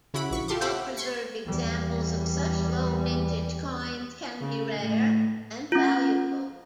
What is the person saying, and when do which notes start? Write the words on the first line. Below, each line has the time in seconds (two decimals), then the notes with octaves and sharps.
Well preserved examples of such low mintage coins can be rare and valuable.
0.14 C#3 E4 F#4 F#5 B5 D7
0.30 A#1 C#6 B6
0.48 F4 G4 A4 C6 D6
0.61 E5 F#5 G5 B5 C6 D6
0.97 C6 C#6 G#6 B6 C#7
1.46 E2 G3
4.41 C#3
4.78 A2
5.72 C#4 F4